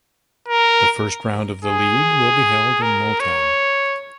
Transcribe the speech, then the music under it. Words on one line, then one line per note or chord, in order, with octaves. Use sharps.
The first round of the league will be held in Multan.
A#4
G#4
A#4
C#5